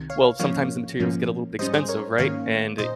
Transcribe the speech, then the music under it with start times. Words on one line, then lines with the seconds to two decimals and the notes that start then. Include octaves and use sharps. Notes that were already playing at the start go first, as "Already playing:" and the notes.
well, sometimes the materials get a little bit expensive, right? And eh
Already playing: C2 C3 D#3
0.10 C#5 F5
0.39 G#2 F3 A#3 C#4 C#5 F5
0.99 G#2 F3 A#3 C#4
1.59 G#2 G3 C#4 C5 D#5
1.74 G#4 C5
1.89 A#4 C#5
2.18 G#2 D#3 A#3 C#4 C#5 F5
2.78 A#2 C5 D#5